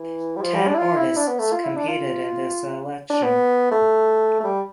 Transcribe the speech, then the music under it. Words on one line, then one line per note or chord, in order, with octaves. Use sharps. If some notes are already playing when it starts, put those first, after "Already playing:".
Ten artists competed in the selection.
Already playing: E3
G3
F3
G3
D4
E4
F4
E4
D4
B3
A3
F4
E4
D4
F4
D4
B3
A3
A3
G3